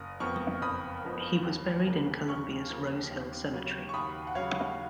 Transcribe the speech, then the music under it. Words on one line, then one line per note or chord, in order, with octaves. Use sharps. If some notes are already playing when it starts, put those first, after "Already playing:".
He was buried in Columbia's Rose Hill Cemetery.
Already playing: F#1 D#6
F2 F3 B3 C#6 F6
F#1 B5 D#6
F2 F3 B3
D#2
C#3 F3 A#3
D#2 C#6 F6
C#3 F3 A#3
D#2
C#3 F#3 C#4
C#6
D#2 B5 D#6
F#5
C#3 F#3 C#4 C#5 F5